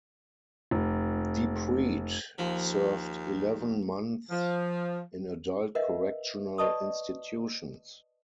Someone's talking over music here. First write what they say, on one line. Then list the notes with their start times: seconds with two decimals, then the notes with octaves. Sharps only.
DiPrete served eleven months in Adult Correctional Institutions.
0.71 F1
2.38 D#2 F3
4.31 F3
5.75 A#4 B4 D#5 E5 F#5
6.58 B4 D5 D#5 A5 C#6 D#6